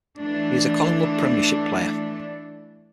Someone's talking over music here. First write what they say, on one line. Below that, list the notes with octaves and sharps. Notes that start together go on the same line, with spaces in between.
He is a Collingwood Premiership player.
E3 A3 D4